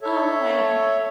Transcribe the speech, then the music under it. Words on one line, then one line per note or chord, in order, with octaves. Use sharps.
Oh my goodn
A4 C#5 E5